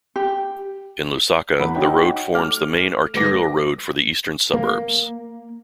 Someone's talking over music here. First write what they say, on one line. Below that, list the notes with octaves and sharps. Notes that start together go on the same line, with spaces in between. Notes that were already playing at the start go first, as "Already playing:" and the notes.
In Lusaka the road forms the main arterial road for the eastern suburbs.
G4
E2 F#5 B5
D#4 F#4 C#5 F#5 G5
A3 D6 F6
D2 G2 B4 D6 A#6
A#3